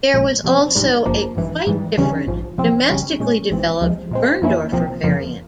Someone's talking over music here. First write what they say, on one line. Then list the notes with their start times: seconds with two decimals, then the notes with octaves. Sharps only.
There was also a quite different, domestically developed Berndorfer variant.
0.14 A#1 A#2 G#3
0.44 F2 C3 G3 C4
0.75 A#1 G#2 G3
1.06 G1 G2 F3 A#3
1.36 G#1 G2 E3
1.67 G#2 E3 G3
1.97 E2 C#3 E3 G3 C#4
2.28 A#1 G#2 F3
2.58 E2 C3 F3 C4
2.89 G1 F2 C#3 G3 C#4
3.20 A#2 G#3 C#4
3.50 A#1 G#2 E3 G#3 C4
3.81 C#2 C3 F3 G#3
4.11 A#2 G#3 C4
4.42 F2 E3 A#3 C#4 E4
4.72 C2 A#2 F3 C4
5.03 F2 C#3 F3 A#3